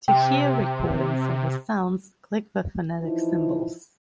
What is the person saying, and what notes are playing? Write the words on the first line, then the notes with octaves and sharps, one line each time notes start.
To hear recordings of the sounds, click the phonetic symbols.
C3 G5
E3 F3 D#4 E4